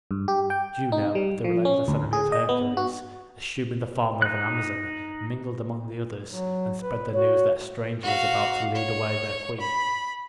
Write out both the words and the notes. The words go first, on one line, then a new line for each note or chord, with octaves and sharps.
But Juno, the relentless enemy of Hercules, assuming the form of an Amazon, mingled among the others and spread the news that a stranger was about to lead away their queen.
G2
G4
G5
D#4
G3
F3
C#4
D2
G#4
D#5
B3
F#4
D#4 F#6
F#3
B4
F#4 C#5
F#4 F5
C#5
B5